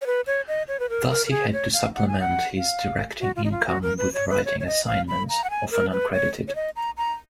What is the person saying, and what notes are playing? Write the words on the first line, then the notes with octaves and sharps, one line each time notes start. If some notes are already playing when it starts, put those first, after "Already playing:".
Thus, he had to supplement his directing income with writing assignments, often uncredited.
C#5
B4
C#5
D#5
C#5
B4
A#4
A#4
A#4
G#4
C#5
F5
F#5
G#5
F#5
F5
F#4
F4
D#4
F4
F#4
A#4
B4
C#5
B4
C#5
C#5
D#5
F5
B5
A#5
F#5
G#5
A#4
B4
C#5
C#5
D#5
A#5
A#5